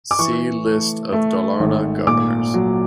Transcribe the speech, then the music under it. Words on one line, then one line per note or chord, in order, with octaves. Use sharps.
See List of Dalarna Governors.
D6
E3 C#6
A3
A3
G#1
A#2 D6
F#3